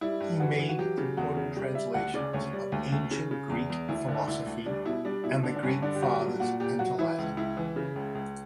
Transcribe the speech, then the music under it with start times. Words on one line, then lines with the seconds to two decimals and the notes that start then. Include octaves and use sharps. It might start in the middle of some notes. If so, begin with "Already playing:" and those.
He made important translations of ancient Greek philosophy and the Greek Fathers into Latin.
0.01 G3 E4
0.20 G2
0.40 E3 F#4
0.59 E3
0.69 F#4
0.78 F#3 G4
0.98 C#3
1.17 E2 F#4
1.37 C#3
1.56 G3 G4
1.75 G3 E5
1.94 D2 F#5
2.14 C#3 D5
2.33 D2 C#5
2.53 G3
2.72 D2
2.92 D2
3.11 C#3
3.31 C#3
3.50 E2
3.70 E2
3.88 D2 E4
4.08 D3
4.27 D2 E4
4.46 D2
4.66 G3 D4
4.85 B2 E4
5.05 G3 D4
5.24 B2 E4
5.43 D3 D4
5.56 D4
5.63 G2 C#4
5.82 D3 D4
5.95 G4
6.02 G2 F#4
6.21 F#3
6.40 A#2 F#4
6.60 A#2 G4
6.79 F#3 F#4
6.98 E3 E4
7.18 C#2
7.37 C#2 E4
7.57 E3
7.76 C#3
7.96 C#2
8.15 C#2